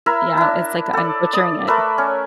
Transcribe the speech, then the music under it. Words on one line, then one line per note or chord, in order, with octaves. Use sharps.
Yeah, w it's like I'm butchering it,
E4 A#4 E5
D4 E4
A4 D5
D5 D#6
A3 A#4 B4 E5
C#4